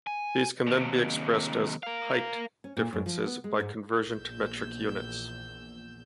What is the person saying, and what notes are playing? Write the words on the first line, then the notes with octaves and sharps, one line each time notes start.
These can then be expressed as "height" differences by conversion to metric units.
G#5
D#2 C3
A#4 F5
C#4
A#2
F#2
F3
B3
G#3
G#2
A#1 E2 E6 G6